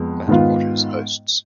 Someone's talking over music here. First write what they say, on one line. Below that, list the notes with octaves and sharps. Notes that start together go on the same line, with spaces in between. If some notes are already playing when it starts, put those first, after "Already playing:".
Matt Rogers hosts.
Already playing: F2 G#3 B3
G#2 D#3 B3 F4